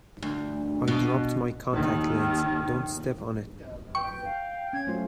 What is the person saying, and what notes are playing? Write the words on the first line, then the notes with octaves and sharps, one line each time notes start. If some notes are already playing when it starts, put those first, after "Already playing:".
I dropped my contact lens, don't step on it!.
D2
B2
D#2 D#3
B4 G5 C#6
F5
C#4 G#6
F#3 A3 F4 C5